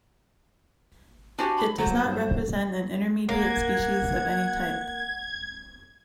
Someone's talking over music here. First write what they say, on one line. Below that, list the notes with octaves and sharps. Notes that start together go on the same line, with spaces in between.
It does not represent an intermediate species of any type.
D4 E4 F#4 G4 C5 G#5
B5
D2 F#3 C5
A#3
G2
A#3 F#5 G#6